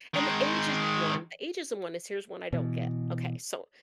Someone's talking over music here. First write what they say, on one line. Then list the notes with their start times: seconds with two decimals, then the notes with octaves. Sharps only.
And the ageism one, the ageism one is here's one I don't get, okay, so,
0.14 D#3 G#3
2.53 B2 E3